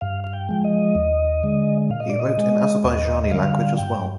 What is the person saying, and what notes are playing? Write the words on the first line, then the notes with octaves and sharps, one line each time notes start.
He wrote in Azerbaijani language as well.
G2 F5
F5
G5
F3 G#3
D#5
D#2
D3 G#3
A#2 F5
D#5
D5
D#5
G#3
D#2 D#5
D#5
D3 G3 F5
G2 G5